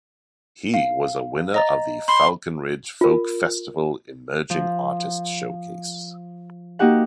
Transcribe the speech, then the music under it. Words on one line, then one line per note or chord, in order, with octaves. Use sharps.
He was a winner of the Falcon Ridge Folk Festival Emerging Artist Showcase.
F5
D#5 A#5 A6
B5 C6
F4 A#4
F3
A#3 D#4 F#4 G4 F#5